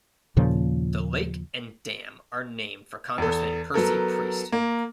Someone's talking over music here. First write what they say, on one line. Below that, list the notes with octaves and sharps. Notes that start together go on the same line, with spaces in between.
The lake and dam are named for Congressman Percy Priest.
D#2 A#2 C#3 F3
E2 A4
F#3 B3 A4 A#4
A#3